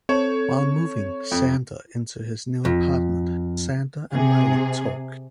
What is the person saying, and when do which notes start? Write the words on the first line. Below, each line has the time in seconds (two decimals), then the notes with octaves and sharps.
While moving Xander into his new apartment, Xander and Riley talk.
0.09 C4 A4 C#5
1.31 F2
2.65 F2
4.13 C3 G#4